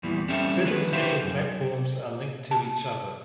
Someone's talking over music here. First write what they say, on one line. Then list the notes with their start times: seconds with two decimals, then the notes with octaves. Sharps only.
Certain special platforms are linked to each other.
0.03 E2 A#2 E3 G3
0.28 G3 C4 C#4 A4 E5
0.63 D#3 D4 B4
0.93 G4 B4 C5 E5 F5
1.23 F#2
2.51 A5